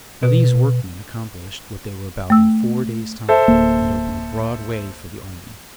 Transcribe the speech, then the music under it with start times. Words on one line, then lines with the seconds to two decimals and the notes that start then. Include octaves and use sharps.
Now these workmen accomplished what they were about in four days' time, and opened a broad way for the army.
0.23 B2
2.30 A3 E6
3.29 A4 C5 E5
3.48 D1 A#3